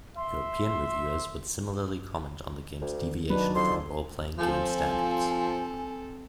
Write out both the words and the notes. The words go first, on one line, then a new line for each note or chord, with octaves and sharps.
European reviewers would similarly comment on the game's deviation from role-playing game standards.
E5 C6
D2
D#3
F#3 D4 D#4 F#4 B4
F2 C6
F3 C4 A4 G#5